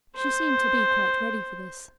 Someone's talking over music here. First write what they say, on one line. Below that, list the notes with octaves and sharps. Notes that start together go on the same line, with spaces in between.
She seemed to be quite ready for this.
C5